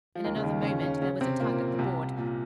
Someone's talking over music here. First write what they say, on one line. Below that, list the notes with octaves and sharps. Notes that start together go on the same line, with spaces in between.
In another moment there was a tug at the board.
F3
D#2 D#3
C#3
D#2 D#3
C#3 C#4
C#3 C#4
C#3 C#4
C3 C4
A#2 A#3
A#2
C2 C3
A#2